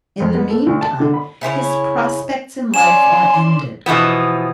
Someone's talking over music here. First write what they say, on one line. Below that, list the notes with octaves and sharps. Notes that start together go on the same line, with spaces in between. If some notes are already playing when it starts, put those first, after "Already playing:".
In the meantime his prospects in life are ended.
F2
B3
A4
D2
A5
D3
B5
C#3 E4 C5 C#5
C#4 D5 G#5 C6 E7
B2 E3 F3 B3